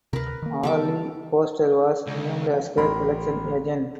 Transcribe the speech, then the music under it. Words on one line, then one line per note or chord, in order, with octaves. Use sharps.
Arlene Foster was named as her election agent.
D2 C3 A#4 B4
D#3 A#3
C#3 E3 G3 B3 A4 D6
C#2
A1 A#4 B5 C6